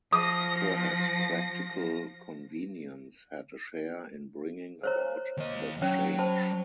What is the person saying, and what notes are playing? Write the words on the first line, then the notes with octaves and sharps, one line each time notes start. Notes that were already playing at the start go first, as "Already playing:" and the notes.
Perhaps practical convenience had a share in bringing about the change.
F3 D#6 A#6
C5 C#5 A#5
D#2 D#5
F#3 C#4 C#5 G5
C5 A5 B5